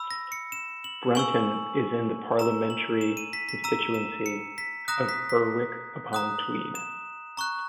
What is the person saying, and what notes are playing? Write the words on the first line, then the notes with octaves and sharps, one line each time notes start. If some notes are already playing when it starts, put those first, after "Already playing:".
Brunton is in the parliamentary constituency of Berwick-upon-Tweed.
Already playing: B5 E6
A#6
C#7
E7
F#7
G#5 C#6 E6 F#7
A#5 E6 E7
F#7
E7
D#7
B6
B6
A#5 E6 D#7
E7
C#7
B6
A#5 D#6 F#6 A#6
B6
B6
A#5 D#6 F#6
E7
A#5 C#6 F#6